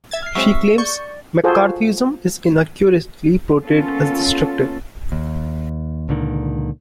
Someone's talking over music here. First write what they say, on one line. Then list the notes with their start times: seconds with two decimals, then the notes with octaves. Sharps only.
She claims McCarthyism is inaccurately portrayed as destructive.
0.11 E5 G#6 A6
0.23 F6 C7
0.35 F#3 G#3 C4 E5 C#6 E6
0.78 D5 C#6 G6 C#7
1.44 F4 F#4 G#4 A4 C5
3.64 A#3 B3 C#4 F4 A4
5.12 D#2
6.09 C#2 A#2 D3 D#3